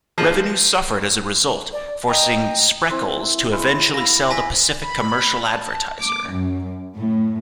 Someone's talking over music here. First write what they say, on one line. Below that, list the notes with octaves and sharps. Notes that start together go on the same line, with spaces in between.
Revenue suffered as a result, forcing Spreckels to eventually sell the "Pacific Commercial Advertiser".
F3 G#3 A#3
D5
D#5 G5 A#5
C4 E4 C5
G#3 B5 C#6
A#3 E4 B5 A#6
G#5 A#6 B6
B5
A5
D6
F#2
A2